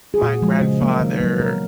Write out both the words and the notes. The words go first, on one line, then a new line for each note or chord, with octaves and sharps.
my grandfather
G#4
A#2 F#4
F3 G#3
C#3
F#3 A#3
D#3
F#3 A#3
B2 A#4